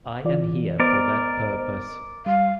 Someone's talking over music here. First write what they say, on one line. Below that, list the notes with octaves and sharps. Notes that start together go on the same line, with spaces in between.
I am here for that purpose.
E3 F4 D5
B3 A#4 C5 D5 D#5
G3 F5